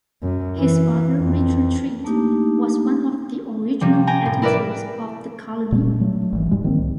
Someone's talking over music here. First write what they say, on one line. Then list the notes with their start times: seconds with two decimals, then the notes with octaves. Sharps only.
His father Richard Treat was one of the original patentees of the colony.
0.23 F#2
0.58 E3
1.17 F2
2.04 A3 A#3 D4 D#4 G4
3.81 C3 F3 G3
4.07 G5 G#5 A#5
4.25 A2
4.42 E4 A#4 B4 D5 E5
5.72 A#2 G3 G#3
6.01 F#3 A3
6.33 G#1 E3
6.51 F#1 G#2 G3 G#3
6.64 D#3 F3 A#3 C4
6.79 C2